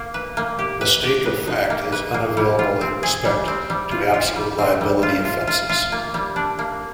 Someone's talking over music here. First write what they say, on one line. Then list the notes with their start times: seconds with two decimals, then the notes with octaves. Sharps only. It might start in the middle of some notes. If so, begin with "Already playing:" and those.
Mistake of fact is unavailable in respect to absolute liability offences.
Already playing: A#3
0.14 B4
0.37 A#3
0.59 G4
0.81 B4
1.03 G4
1.26 B4
1.47 D#4
1.70 A#3
1.92 B4
2.14 A#3
2.37 G3
2.59 F4
2.81 C4
3.03 G#4
3.25 G3
3.48 C4
3.70 G3
3.91 F4
4.14 F4
4.36 G3
4.58 C4
4.81 G3
5.03 F4
5.25 F4
5.47 F4
5.69 F4
5.92 A#3
6.14 G3
6.36 D4
6.59 A#3